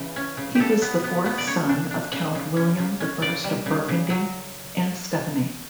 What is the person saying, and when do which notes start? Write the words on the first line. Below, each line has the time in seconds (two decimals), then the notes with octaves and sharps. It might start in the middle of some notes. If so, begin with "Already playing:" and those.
He was the fourth son of Count William the First of Burgundy and Stephanie.
Already playing: C#3 E3
0.16 C#4
0.37 C#3
0.55 C#3 G4 A4
0.82 B3
1.04 B3
1.26 B3
1.38 D5
1.47 C#3 C#5
1.69 D4
1.91 D4
2.12 C#3
2.35 C#3
2.57 C#4
2.78 C#3
3.00 C#4
3.22 C#3 D5
3.44 G3
3.66 C#3
3.88 C#3
4.10 F#3